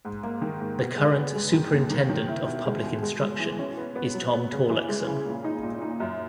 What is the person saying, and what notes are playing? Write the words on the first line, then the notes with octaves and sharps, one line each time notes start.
The current Superintendent of Public Instruction is Tom Torlakson.
G#2
A#3
D#3
G#2
B2
G#3
B3
G#3
D#3
D#2
D#3
D#3
E4
B2
G#3
B2
G#3
G#3
E3
C#4
B3
B3
F#3
B3
C#3
E3
G#3
C#3
A#2
D#4
A#2
D#4
F#2